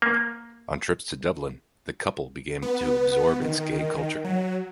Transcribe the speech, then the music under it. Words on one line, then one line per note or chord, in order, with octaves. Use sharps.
On trips to Dublin the "couple" begin to absorb its gay culture.
A#3
B3
D#3
F#3